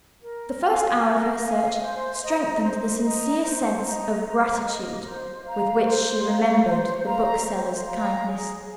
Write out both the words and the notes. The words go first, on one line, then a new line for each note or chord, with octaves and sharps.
The first hour of her search strengthened the sincere sense of gratitude with which she remembered the bookseller's kindness.
A#4
F5 G#5
A#4
F5 G#5
C5
D#5 A#5
C5
D#5 A#5
C5
D#5 A#5
C5
D#5 A#5
C5
F5 A#5
C5
F5 A#5
C5
F5 A#5
C5
F5 A#5
G#4